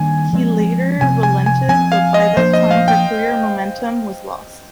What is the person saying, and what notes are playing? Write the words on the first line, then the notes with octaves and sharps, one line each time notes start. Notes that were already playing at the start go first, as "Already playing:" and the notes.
He later relented but by that time her career momentum was lost.
Already playing: D#3 G3 A#3 D4 G#5
F3 G#3 C4
C3 F3 C4 G#5
G#5
G#5
F3 C4 G#5
F5
D#5
F3 A#3 D4 C5
D#5
F5
G5